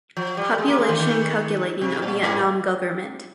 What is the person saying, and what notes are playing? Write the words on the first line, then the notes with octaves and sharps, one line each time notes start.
Population calculating of Vietnam Government.
F3
G3
G#3
A#3
G#3
D#3
D#3
C3
A#2
G#2